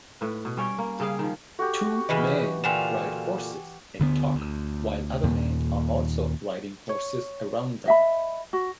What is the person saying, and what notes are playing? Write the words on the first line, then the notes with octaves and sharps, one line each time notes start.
Two men ride horses and talk while other men are also riding horses around them.
A2 B4
B2
G3 C#4 C#5 G5
A#3
C#3 G3 G#4 F5
D#3 F3
F#4 G4 A4
C#3 E3 G#3 B4 D#5
A#2 D3 F4 G5 G#5 E7
D2 D3 G3 B3
D2
D#2 A#2
C#5
D#5 E5 B5
F#4